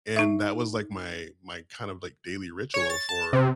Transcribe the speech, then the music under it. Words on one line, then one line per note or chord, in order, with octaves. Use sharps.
And that was, like, my my kind of like daily ritual for,
D#4 E5
C#5
A6
A5
C3